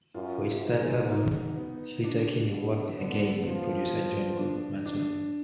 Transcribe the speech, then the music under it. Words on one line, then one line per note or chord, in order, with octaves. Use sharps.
For its third album, Sleater-Kinney worked again with producer John Goodmanson.
F#2 F4
G#2
D#4
B3
D4
B2
D3 B3
B3
F3
D4
D4